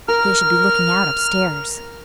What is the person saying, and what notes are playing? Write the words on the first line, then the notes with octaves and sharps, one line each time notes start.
"If they should be looking out upstairs!"
A#4 F6